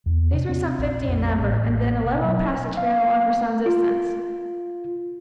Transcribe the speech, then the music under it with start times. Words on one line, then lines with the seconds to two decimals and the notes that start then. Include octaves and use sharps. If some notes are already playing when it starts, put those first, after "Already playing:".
These were some fifty in number, and then a level passage ran along for some distance.
0.06 E2
0.34 C3
0.49 C4
0.78 A#1
1.07 F2
1.40 A1
2.06 B2
2.25 F#3
2.77 F5
3.66 F4